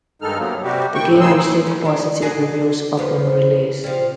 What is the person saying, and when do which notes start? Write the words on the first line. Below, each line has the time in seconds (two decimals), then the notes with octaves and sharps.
The game received positive reviews upon release.
0.22 G2 D#3 G#3 D#4 A4 F6
0.38 C3 F#3 A#3 B3
0.63 C3 G3 F#4 G4
0.95 D#3 G5 C#6
1.08 D2 A2 C4
1.20 C#3 G3 D#4 G#4 C6 E6
1.44 D#2
1.66 G#3 C#4
1.85 G#3 D4
2.22 D4 F#4 G#4
2.97 E2 F3 B3
3.84 F3 G3